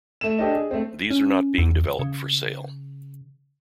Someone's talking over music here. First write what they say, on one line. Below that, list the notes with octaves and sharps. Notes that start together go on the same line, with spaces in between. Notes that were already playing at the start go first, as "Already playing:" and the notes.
These are not being developed for sale.
A3 E7
D4 G4 A4 C5 D5 D#5
G#4
A3 C4
C#4
E2
C#3